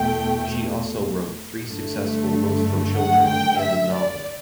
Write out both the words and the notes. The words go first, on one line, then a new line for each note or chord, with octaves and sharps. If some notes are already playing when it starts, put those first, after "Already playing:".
She also wrote three successful books for children and a novel.
Already playing: E2 B2 A3 G5
G2 D3 A3
F#5
G5
E5
D5